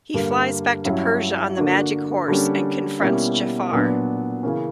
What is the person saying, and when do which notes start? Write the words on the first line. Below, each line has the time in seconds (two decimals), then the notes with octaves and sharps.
He flies back to Persia on the magic horse and confronts Jaffar.
0.14 G2 D3 A#3
0.85 G2 F#3 C#4 E4
1.56 D3 A#3 D4 F#4
2.28 D3 G3 A#3 C#4
2.99 B2 G3 A#3 C#4 E4
3.72 A#2 F#3 B3 D4
4.43 C#3 E3 A#3 C#4